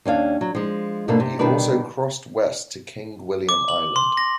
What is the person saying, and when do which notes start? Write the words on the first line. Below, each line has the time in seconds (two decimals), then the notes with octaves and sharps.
He also crossed west to King William Island.
0.05 D#2 C#4 D4 F5
0.41 F#3
0.55 F3 G#3
1.08 G#2 B2 D3 A3 A#3
1.20 C3
1.39 B2 D#3 G3 D4 B4 D5
3.49 D6
3.69 F#7
3.96 C6
4.17 A#6